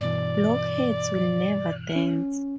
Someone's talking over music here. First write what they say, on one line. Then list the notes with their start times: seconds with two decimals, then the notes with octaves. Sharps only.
Blockheads will never dance!
0.01 G2 B2 E3 D5
1.96 C#4